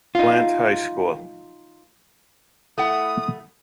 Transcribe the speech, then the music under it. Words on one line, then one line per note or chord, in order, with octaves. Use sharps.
Plant High School.
D#4 F4
A3 E4 F#5 D#6